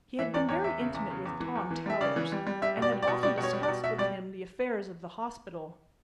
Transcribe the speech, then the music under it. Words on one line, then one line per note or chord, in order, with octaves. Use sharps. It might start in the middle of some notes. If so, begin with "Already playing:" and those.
He had been very intimate with Tom Towers, and had often discussed with him the affairs of the hospital.
E3 E5
E2 D5
E2 C#5
E2 E5
C#3
E2
C#3
E2
E3
E2
E3
G3 E5
C#3 D5
E3
G3
G3
G3 E5
B2
D5
G3
D5
B2
G3 D5
B2
C#5
G3
D5
B2
B2 E5
G3 D5